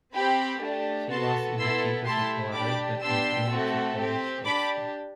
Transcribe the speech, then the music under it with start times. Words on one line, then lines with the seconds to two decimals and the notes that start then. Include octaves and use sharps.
He was educated at Loretto and Trinity College, Oxford.
0.15 C4 G4 G5 B5
0.62 A3 D4 G4
1.11 B3 F#4 A4 A5 C6
1.58 B3 E4 A4 C6 E6
2.06 A3 E4 G4 A5 C6
2.53 D4 G4 B5 D6
3.02 B3 D4 G4 C6 E6
3.49 A3 C4 F#4 A4
3.97 C4 G4
4.45 D4 G4 B5 D6